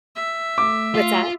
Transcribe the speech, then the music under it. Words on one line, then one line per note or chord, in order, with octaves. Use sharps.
what's that?
E5
A3 D6
F4